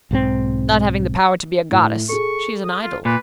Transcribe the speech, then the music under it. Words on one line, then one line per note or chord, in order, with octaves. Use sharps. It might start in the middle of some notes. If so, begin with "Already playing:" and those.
Not having the power to be a goddess, she is an idol.
B1 G#2 F#3 C4
A2
G#4 A4 C#6
D#6
F4
A#2 B4